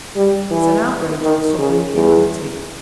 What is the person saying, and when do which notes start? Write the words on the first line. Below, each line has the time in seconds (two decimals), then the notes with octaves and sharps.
It's an outrage on suffering humanity.
0.16 G3
0.51 E3
1.23 D#3
1.58 C#3
1.94 E2